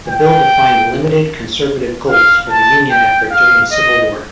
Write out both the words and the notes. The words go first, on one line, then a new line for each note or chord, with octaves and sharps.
The bill defined limited conservative goals for the Union effort during the Civil War.
G5
F5
A5
G5
F5
D#5